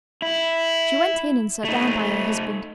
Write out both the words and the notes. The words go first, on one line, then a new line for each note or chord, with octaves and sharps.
She went in and sat down by her husband.
E4
A3 D#4